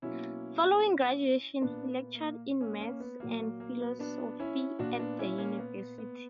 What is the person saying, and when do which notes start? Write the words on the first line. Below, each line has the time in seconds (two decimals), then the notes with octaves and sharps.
Following graduation he lectured in Maths and Philosophy at the university.
0.02 B2 F#3 A#3 C#4 E4
1.61 A#2 A#3 B3 D4
1.88 B3
2.15 A#3
2.61 A#3 C#4
2.80 A#3 C#4
3.00 B3
3.20 A#2 F#3 A#3
3.40 A#3
3.60 A#3
3.81 B3
3.99 B3 D4
4.40 C#4 E4
4.79 A#2 A#3 D4 F#4
4.99 B3 D4
5.19 C#4 E4
5.38 A#3 C#4
5.59 B3
5.98 B3